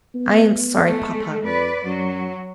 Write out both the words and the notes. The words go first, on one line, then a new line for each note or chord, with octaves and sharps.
'I am sorry, papa.
B3
G#3 A3
F2 B4 D5
F#2 F#3